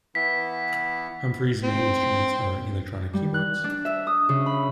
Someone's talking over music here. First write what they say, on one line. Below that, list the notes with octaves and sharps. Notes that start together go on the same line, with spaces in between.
Humphreys' main instruments are electronic keyboards.
E3 B3 E4 B6
C4
G3
F#6
D4
E5
D#6
C#3
B5